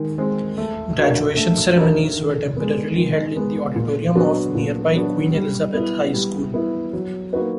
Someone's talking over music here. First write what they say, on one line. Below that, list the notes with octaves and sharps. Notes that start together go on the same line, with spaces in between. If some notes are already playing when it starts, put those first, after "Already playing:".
Graduation ceremonies were temporarily held in the auditorium of nearby Queen Elizabeth High School.
Already playing: D#3 G#3
G#3 C4
A3
D4 F#4 A#4 D#5
A3
D4 F#4 A#4 D#5
D#3
G#3 B3
D#3
G#3 B3
A#2
F#3 B3 D4 F#4
A#2
F#3 B3 D4 F#4
G3
B3 E4
G3
B3 E4
F#3
A#3 D#4 F#4 B4